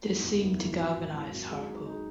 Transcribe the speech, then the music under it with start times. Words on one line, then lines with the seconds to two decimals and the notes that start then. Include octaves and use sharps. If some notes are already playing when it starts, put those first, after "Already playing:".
This seemed to galvanise Hartlepool.
0.05 E2 G#2
0.14 A2
0.22 F#1 B2
0.41 E2 D#3
0.59 D#3 E3
0.72 E3
0.77 G#1 F#3
0.95 G#1
1.08 D#3
1.13 G#1 E3
1.31 G#1 F#3
1.49 G#3
1.67 D#4
1.86 D#4